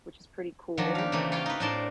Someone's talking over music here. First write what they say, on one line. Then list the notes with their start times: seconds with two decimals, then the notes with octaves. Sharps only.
which is pretty cool. Um,
0.78 D#3 F3 F#3 D4
0.95 G4 F5
1.12 C#3 E3 A3 A#3 C4
1.32 F4 C#5 F5 G5
1.46 D#4 B4
1.60 A2 C4 D4 A#4 A5 C6